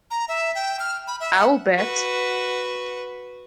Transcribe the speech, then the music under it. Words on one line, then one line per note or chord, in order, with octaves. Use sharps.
I'll bet.
A#5
E5
G5
F6
B5
E5
F#5
F#4 B4